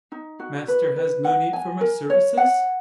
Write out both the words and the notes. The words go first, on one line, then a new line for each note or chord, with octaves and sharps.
"Master has no need for my services?"
D#4
F#4
B4
B4
F#5
G#5
A#4
C#5
F#5